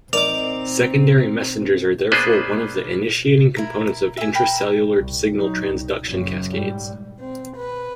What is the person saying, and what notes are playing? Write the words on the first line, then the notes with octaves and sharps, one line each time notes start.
Secondary messengers are therefore one of the initiating components of intracellular signal transduction cascades.
C4 D#4 A#4 D5 D6 F7
A#3 B3 D4 G#4 B4 C5
E4 A#4
E5 G#5
A#4 G5 B5
C2
F#3 D#4
C2
F#1 F#2
G#2 G3
C4
B4